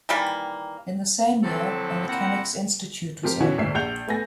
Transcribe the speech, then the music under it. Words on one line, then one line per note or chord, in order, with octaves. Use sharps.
In the same year, a Mechanics' Institute was opened.
D#3 E3 G3 A#3
D3 F3 F#3 C4 E4 A4
A#3 C4 E4 A#4 F#5
F3 C4 G4 A#4
B2 D#3 E3 C#4 E4 F#4
G#1 D2 A#2 E5 C7
A#1 F#5 G6 F7
A3 B3 G#5 A#6